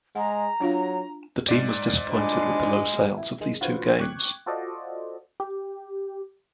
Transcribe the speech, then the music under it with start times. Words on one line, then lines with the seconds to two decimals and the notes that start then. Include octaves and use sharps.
The team was disappointed with the low sales of these two games.
0.15 G#3 F#5 A#5
0.61 F#3 D4 F4 F5
1.49 G#2 D5
2.11 F3 G3 G#3 D4
3.18 E4
3.41 D#3 G#3
3.60 D3 F4 F#4 B4 C5
3.99 G5 C#6 D6 F#6 G#6
4.46 F4 F#4 A4 C5 D5 D#5
5.40 G4